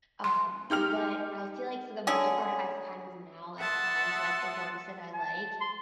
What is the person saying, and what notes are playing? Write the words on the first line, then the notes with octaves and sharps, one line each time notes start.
um, but I feel like for the most part I've kind of now I've found, like, the ones that I like.
C6
D#4 G4 F6 F7
D3 C#4 G#4
E5 F#5 A5 C6 D#6
A5
C6